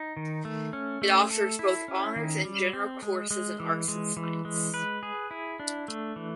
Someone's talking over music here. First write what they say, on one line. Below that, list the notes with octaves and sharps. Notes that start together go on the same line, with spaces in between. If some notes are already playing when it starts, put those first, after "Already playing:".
It offers both honours and general courses in arts and science.
Already playing: D#4
D#3
A3
C#4
A3
A4
E4
C#4
D#3
G3
C4
G#3
G#3
E3
G#3
E3
G#3
B4
G#4
E4
D4
A3
E3